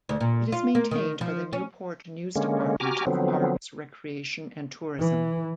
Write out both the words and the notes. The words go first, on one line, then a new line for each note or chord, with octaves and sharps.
It is maintained by the Newport News Department of Parks, Recreation and Tourism.
D2
A#2
F4
A#3
D#3
F3
C#4
D3 G#3 A#3 C#4
F#4 G4 G#5 A#5 D6 F6
D3 F3 F#3 B3 C4
E3